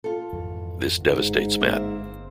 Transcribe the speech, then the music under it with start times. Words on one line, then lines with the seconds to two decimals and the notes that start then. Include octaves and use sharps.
This devastates Matt.
0.04 F4 A4
0.32 G#1 F2 E3
1.00 G1 G#2
1.60 A#3 C4 E5